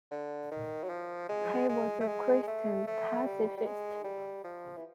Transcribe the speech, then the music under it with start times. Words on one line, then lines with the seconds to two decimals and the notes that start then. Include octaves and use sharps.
He was a Christian pacifist.
0.11 D3
0.51 D#3
0.83 F#3
0.90 F3
1.29 G#3
1.69 G#3
2.00 A3
2.08 G#3
2.42 G#3
2.48 A3
2.87 A3
3.25 G3
3.57 G3
3.66 G#3
4.04 G3
4.44 F3
4.76 E3